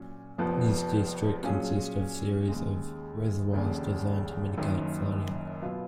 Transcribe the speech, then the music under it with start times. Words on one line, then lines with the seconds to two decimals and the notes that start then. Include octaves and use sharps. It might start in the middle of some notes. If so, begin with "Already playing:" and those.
This district consists of a series of reservoirs designed to mitigate flooding.
Already playing: A#2 F#3 C#4
0.38 F1 F2 F3 B3
1.43 A#2 F#3 C#4 F4 G#4
2.48 D#2 C#3 G#3
3.53 F1 D#2 C#3
4.57 F#1 F#2 D#3
5.62 B2 F#3 B3 F4